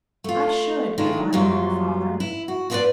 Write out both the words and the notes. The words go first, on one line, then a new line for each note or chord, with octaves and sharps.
"I should, if I were your father."
A3 F4
D#3 G#3 A3 D4 E4 F4
F#2 A#2 F#3 G3 F4
E4
F#4
E4 F4 G#4 A#4 B4 D5